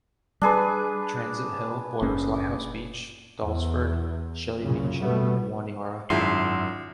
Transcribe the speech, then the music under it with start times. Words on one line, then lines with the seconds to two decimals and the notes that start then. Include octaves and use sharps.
Transit Hill borders Lighthouse Beach, Dahlsford, Shelly Beach and Waniora.
0.42 G3 D4 G#4 B4
2.02 F#1 A#3 C#4
3.41 E2
4.62 C2 F#2 A#2 C#3
4.99 B2 G3 A3 B3
6.10 G#1 F#2 E4 F4 G#4 E5 C6